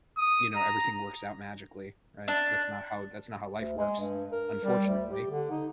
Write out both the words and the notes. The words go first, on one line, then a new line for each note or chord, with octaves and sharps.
you know, everything works out magically, right? That's not how that's not how life works, unfortunately.
D#6
A#5
D4
D2
G#3
G2
A#4
G3
D2
G4
D3
D#4